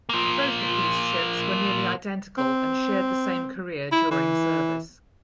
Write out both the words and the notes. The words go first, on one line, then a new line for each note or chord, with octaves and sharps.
Both of these ships were nearly identical and shared the same career during service.
F3 A#3
C4
E4
E3